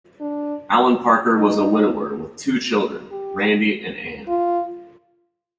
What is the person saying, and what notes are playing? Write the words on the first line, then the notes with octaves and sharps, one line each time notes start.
Alan Parker was a widower with two children, Randy and Ann.
D4
D#4
G4
F4